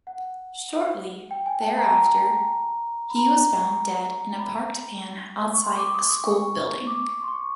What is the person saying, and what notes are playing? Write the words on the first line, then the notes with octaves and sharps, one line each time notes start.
Shortly thereafter, he was found dead in a parked van outside a school building.
F#5
G5
G#5
A5
A#5
B5
A#5
B5
A#5
B5
C#6
C6
D6
D#6
D#6
C#6
D6
C#6
C6
C#6